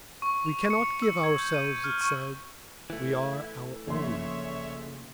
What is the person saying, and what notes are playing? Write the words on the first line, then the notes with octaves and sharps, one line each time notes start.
We cannot give ourselves, it said: we are our own.
C#6
F7
C#7
E6
G#6
G6
D#7
F6
C#6
E3 A3 E4
A#1 C#3 C#5 E5 C6